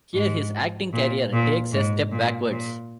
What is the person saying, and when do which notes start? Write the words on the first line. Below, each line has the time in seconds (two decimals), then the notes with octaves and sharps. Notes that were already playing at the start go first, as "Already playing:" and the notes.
Here, his acting career takes a step backwards.
0.14 G#2
0.93 A#2
1.33 A#2
1.72 G#2
2.12 A#2
2.51 A#2